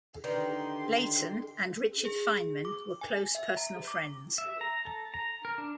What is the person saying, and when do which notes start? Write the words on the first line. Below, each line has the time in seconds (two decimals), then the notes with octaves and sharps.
Leighton and Richard Feynman were close personal friends.
0.24 D3 D#3 G4 B4 D5 C6
2.05 G#4
2.65 D6
3.01 G#5
3.35 E5
3.57 A#5
3.88 D6
4.38 E5
4.61 A#5
4.85 A4
5.14 A#5
5.45 A#4
5.58 D4